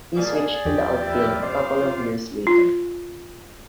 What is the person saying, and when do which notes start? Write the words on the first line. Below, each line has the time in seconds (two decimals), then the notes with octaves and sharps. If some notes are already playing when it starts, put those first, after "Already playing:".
He switched to the outfield a couple of years later.
0.16 B2 A#3 G#4 D5
0.65 E2 F3 C4 G4
1.07 A#4 B4 E5
1.41 F2 G#2 C3 C5 F5 D6
1.77 F4
2.47 F4